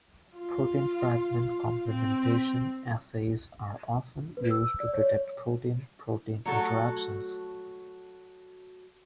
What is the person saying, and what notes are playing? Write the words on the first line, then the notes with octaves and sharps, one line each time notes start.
Protein fragment complementation assays are often used to detect protein-protein interactions.
F4
C4
B4
E6
D5
C#5
F#3 A3 F#4 A4